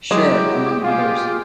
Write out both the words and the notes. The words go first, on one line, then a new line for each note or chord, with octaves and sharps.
Sure!, among others.
F#3 G#3 E4 G4
F4 G4 G#4